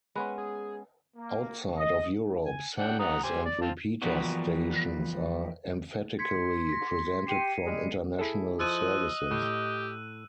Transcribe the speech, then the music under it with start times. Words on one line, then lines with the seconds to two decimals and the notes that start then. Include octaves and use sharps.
Outside of Europe senders and repeater stations are emphatically presented from international services.
0.15 G#3 B3 C#4 B4
0.38 G#4
1.16 A#3
1.77 D#5
2.46 G#5
2.78 D4 F#5 G5
3.00 F#5 A#5 D#6
3.24 G4 C5 G#5
3.46 D5
3.61 C4 F4 A5
4.02 E3 F3 G3 A#3 B3 F#4
6.19 C6 G#6 B6 C#7
6.69 A#6 B6
7.27 G4 C7 C#7 D#7
7.64 G3 G#3
8.19 E4 G#4 A4
8.59 F3 D#5 E6 F#6 D#7
9.31 A2 G4